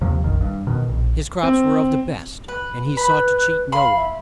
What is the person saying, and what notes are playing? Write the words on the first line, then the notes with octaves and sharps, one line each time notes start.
His crops were of the best, and he sought to cheat no one.
D#2 C3 F3
F1 A#1 D#3
G2
B2 D#3
A#1
C4
B4
B4 B5
F5 B5 C6
E5